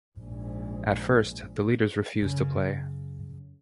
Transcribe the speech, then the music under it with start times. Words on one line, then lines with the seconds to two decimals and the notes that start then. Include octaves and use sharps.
At first, the leaders refuse to play.
0.18 A#1 G#2
2.21 F#2 C#3